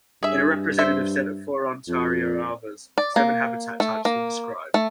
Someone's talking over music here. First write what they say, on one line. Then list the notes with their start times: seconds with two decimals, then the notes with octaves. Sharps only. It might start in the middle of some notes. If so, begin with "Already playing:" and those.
In a representative set of four Ontario alvars, seven habitat types were described.
0.23 G2 G#4 E5
0.78 C5 E5
1.88 F2
2.98 D5
3.16 A#3
3.80 A3
4.05 A#3
4.74 A3